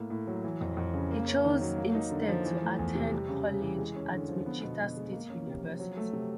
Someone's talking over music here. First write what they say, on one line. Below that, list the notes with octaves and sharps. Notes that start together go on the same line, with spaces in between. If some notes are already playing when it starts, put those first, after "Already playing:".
He chose instead to attend college at Wichita State University.
Already playing: A2 A#3
A2
F#3
E3
F2
F2
C#3
A#3
C#4
D#3
F#3
A#3
D#4
D3
F3
E3
A3
E2
C3
G3
C#3
C#3
E3
G#3
C#4
D3
F3
B3
B2
B2
G#3
A#3
C#4
C3
F3
F#3
A3
C3